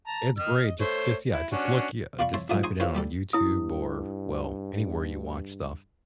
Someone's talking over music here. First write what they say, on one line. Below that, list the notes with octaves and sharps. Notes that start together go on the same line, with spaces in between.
It's great, just just yeah, just look yeah, just type it in on YouTube or, well, anywhere you watch stuff.
A5 A#5
D#5 F6
D#5
A3 C5 C#5
E4
C#4 D4 F#4
F4 D5 F5 B5 C#6
C#5 E5 A5 C6
C#2 A2 F3 F#3 A3 D#6
D#4 D#5 G#5 C6 C#6
C#3 E3 F3 C#4 B4 C#5
G3 G4 A4
G2 E4 D#6